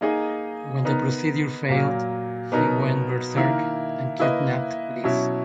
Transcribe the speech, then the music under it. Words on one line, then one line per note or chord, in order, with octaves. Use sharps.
When the procedure failed, he went berserk and kidnapped Liz.
A#3 D#4 G#4 D#5
B3 D#4 A#4
A#2 F#3 A#3
B2 F#3 B3 D#4 A#4
D#3 A#3 E4 A#4
A#3 E4 B4 D#5
B2 F#3 C#4 E4